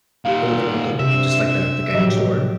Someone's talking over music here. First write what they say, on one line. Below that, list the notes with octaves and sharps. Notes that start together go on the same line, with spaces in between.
or their uncle. I'm just, like, the the guy next door,
A#2 D#3 G4 F5
C3 C4 D4 E5
A2 F3 F#3 G4 D#5